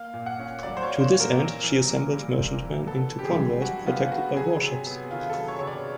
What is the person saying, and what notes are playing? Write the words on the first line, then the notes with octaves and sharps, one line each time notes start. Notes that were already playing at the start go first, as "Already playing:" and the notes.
To this end she assembled merchantmen into convoys protected by warships.
Already playing: A#3 F5
A#2
F#5
C#4
F#3 D5
C5
C#5
A#3
C5
A#2
A#4
C4
E3
E3
G3
C4
E3
B3 A4
D3
G4
G#4
D3
G3 F#4
B3 F4
D3 F#4
F#3 G#4
C3
B3
D#3 F4
A4
F#3
C#5
C3 C#5
D5